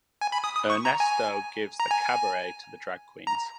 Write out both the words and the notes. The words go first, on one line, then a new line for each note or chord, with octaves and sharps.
Ernesto gives the cabaret to the drag queens.
G#5
B5
D#6
D#6
C#6
A#5
G#5
A#5
G#5
A#5